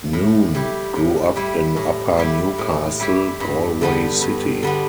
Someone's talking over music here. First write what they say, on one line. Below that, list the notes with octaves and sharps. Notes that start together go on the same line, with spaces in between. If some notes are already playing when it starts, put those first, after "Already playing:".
Noone grew up in Upper Newcastle, Galway City.
A2
G3 E4 G4
A2
G3 E4 G4
A2
G3 E4 G4
A2
G3 E4 G4
G2
D3 G3 B3
G2
D3 G3 B3